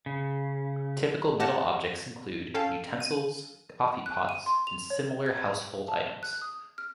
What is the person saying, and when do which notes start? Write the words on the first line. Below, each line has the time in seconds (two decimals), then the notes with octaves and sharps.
Typical metal objects include utensils, coffee pots, and similar household items.
0.06 C#3
1.40 G4 F#5 A5 A#6
2.54 C#4 A4 F5 G5 A5
3.00 D#7
4.06 F#6
4.29 D#7
4.46 C6
4.67 F7
4.90 C#5
5.26 G#6
5.88 A5
6.23 F#6
6.42 D#6
6.78 F6